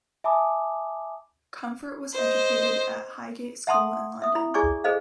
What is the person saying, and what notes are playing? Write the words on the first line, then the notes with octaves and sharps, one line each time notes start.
Comfort was educated at Highgate School in London.
E5 G#5 A5 B5 D6 D#6
C5 D#5
E5 F#5 A5 B5 C6 D#6
E5 D#6
E4 B5
E4 G#4 D5 G#5 C#6 D6
G#4 A4 B4 C5 D#5 F5